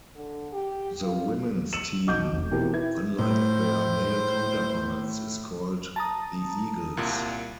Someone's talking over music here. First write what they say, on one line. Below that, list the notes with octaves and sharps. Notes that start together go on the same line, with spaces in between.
The women's team unlike their male counterparts is called the 'Eagles'.
D3
G4
F4
E6 C#7 D#7 E7 F#7
B1 D#4 D#5 D6 G6
F1
B2 E3 C4 G4 A#4
E4 B4 G#6
A2 C5
A5 A#5 D#6
C2 A#2